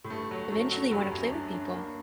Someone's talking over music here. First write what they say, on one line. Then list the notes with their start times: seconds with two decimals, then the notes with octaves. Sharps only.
Eventually, you wanna play with people.
0.04 A2
0.10 G2 A3
0.31 F#3
0.51 F#2 A3
0.72 F#3
0.92 G2 F#3
1.12 F#2
1.32 D4
1.52 D4
1.73 A#3